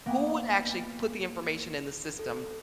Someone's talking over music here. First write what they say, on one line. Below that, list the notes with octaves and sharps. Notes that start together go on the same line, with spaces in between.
Who would actually put the information in the system,
A#3 B3
A4